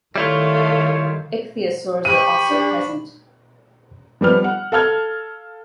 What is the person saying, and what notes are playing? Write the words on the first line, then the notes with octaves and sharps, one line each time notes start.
Ichthyosaurs are also present.
D#3 G3 A3 E4 F4 C#5 F5
G4 B5 C#6 D#7
D4
F3 G3 B3 F6
F#5
A4 F5 A5 F6 G#6